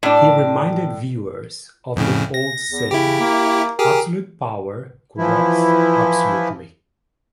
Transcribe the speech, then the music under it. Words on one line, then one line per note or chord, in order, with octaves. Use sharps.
He reminded viewers of the old saying "absolute power corrupts absolutely".
A2 D4
F2 A2 C#3
A#6
E2
C#3 E4 G4
A#3
G4 G#4 A#4
E3 F3 E4